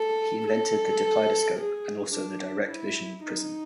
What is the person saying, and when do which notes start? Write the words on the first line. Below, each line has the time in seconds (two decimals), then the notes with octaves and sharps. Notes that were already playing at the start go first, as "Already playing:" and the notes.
He invented the dipleidoscope and also the direct vision prism.
Already playing: A4
0.47 A4
1.59 G#4
2.15 D4
2.70 E4
3.26 D#4